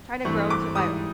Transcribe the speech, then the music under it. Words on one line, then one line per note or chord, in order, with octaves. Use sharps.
trying to grow into my o
G2 E3 A3 C4 C#6
D6
G#2 E3 G3 D#6